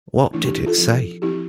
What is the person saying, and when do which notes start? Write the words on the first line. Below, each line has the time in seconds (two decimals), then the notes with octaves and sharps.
What did it say?
0.33 E3 A3 D4 E4
0.45 E4 G4
0.66 F4 A4
0.78 F3 C4
1.22 F3 C4 E4 G4